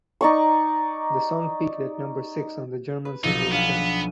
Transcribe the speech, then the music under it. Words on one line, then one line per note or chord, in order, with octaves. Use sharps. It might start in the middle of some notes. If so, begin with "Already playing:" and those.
The song peaked at number six on the German Singles Chart.
D#4 D5 C#6
B4
B1 F3 F#3 D#4
B3 D4 F5 G#5